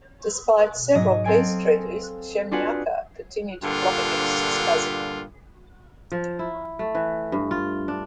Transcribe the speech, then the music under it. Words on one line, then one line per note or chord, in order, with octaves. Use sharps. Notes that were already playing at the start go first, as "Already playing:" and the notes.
Despite several peace treaties, Shemyaka continued to plot against his cousin.
G#2 F#3 D#5
C4 A4 F5 G#5 D7
D4 F4 F#4 G#4 B4 F#5
G2 A#2 D3 F4
F3
E4
A3
E3
G2
F4
D4